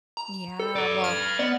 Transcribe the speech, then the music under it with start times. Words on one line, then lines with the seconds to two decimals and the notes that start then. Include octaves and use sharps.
Yeah. Well,
0.17 A#5
0.60 A4
0.76 B4 D5
1.04 F6
1.39 B3 D5